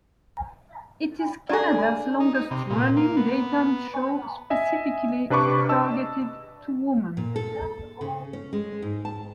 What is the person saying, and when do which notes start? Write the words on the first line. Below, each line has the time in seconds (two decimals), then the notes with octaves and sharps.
It is Canada's longest running, daytime show specifically targeted to women.
1.49 D4 G#4 A4 D5
2.20 D#4
2.34 D#4
2.51 C3
2.70 A#2
2.97 A#3
3.17 B3
4.50 D#5 E5 G#5
5.30 C3 D4 B4 B5 C#6 D6
5.69 D#5 A5 E6
7.17 A#2
7.36 A4
8.01 C#3
8.33 C#4
8.53 G#3
8.82 G#2
9.05 A5